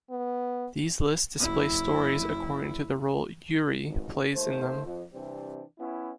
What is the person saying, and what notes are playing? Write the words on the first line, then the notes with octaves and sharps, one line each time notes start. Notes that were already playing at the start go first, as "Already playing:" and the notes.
These lists display stories according to the role "yuri" plays in them.
B3
F#1 E4
G#1 C#2
D#2 A3 C5
F2
C3 E3 G3 C4 D4
B3 C#4 E4